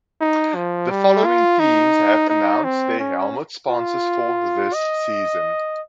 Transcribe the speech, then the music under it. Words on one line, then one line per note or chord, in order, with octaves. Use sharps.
The following teams have announced their helmet sponsors for this season.
D#4
F3
G3
F4
D#4
D#4
C4
C#4
F4
D#5